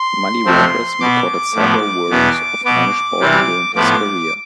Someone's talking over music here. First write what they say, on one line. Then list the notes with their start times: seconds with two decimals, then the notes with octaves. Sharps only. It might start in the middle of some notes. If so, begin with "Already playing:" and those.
Muddy Waters recorded several versions of "Mannish Boy" during his career.
Already playing: C6
0.45 F2 C3 F3 A3 C4
1.01 B2 B3 D6
1.55 A2 F3 B3
2.10 E2 B2 B3
2.65 B2 B3 D6
3.19 C3 E3 G3
3.75 A2 F3 B3 D6